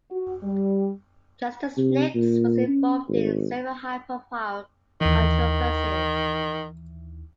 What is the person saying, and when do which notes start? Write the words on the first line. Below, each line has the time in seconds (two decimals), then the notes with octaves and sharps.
Justice Nix was involved in several high profile controversies.
0.11 F#4
0.42 G3
1.77 C3
2.15 A#2
2.68 C#4
3.08 G#1
5.01 D#2 D#3 E3